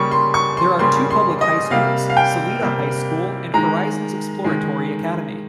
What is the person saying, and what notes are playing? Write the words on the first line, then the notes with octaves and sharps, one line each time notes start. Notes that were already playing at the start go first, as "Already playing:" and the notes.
There are two public high schools, Salida High School and Horizons Exploratory Academy.
Already playing: C#3 G3 A#3 C#6
C6
C#6
C6
C#3 G3 A#3 C6
C6
D#5
C3 G3 A#3 F5
F5
G5
C3 G3 A#3
D#3 G#3 A#5
D#3 G#3